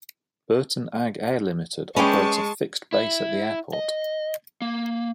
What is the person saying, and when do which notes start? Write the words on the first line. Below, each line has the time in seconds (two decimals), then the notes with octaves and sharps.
Burton Ag Air Limited operates a fixed base at the airport.
1.96 G#3 C#4 B4 D5 G5 A5 C#6
2.93 E4
3.73 D#5
4.62 A#3